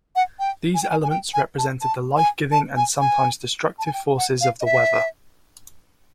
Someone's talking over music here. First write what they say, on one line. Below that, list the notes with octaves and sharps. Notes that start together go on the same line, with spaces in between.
These elements represented the life-giving and sometimes destructive forces of the weather.
F#5
G5
G#5
G5
G#5
G#5
G5
G#5
A5
A5
G#5
A5
G#5
G#5
A5
G#5
G5
F#5
F5
D#5
E5